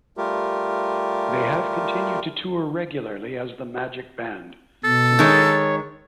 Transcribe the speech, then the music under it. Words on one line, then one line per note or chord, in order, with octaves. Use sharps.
They have continued to tour regularly as the Magic Band since then.
G3 A3 F4 G4 A#4
B2 A4
D#3 G#3 C#5